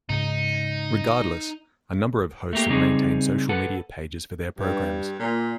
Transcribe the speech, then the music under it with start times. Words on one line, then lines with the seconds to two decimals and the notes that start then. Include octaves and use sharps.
Regardless, a number of hosts have maintained social media pages for their programs.
0.09 G#2 C#3 D#4
2.53 A3 A#3 G4
2.69 C#3 G3 C4 D#4 G#4
3.49 A4 B4 F#5
4.58 G2
5.19 A#2